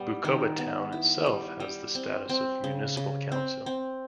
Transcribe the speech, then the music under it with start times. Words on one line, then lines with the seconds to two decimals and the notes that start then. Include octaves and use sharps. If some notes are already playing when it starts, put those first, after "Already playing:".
Bukoba Town itself has the status of a municipal Council.
Already playing: G3 B3
0.25 D#3
0.58 B3
0.92 E4
1.26 G3
1.60 G3
1.95 C4
2.29 C4
2.64 C#3
2.97 C#3
3.32 C4
3.66 C4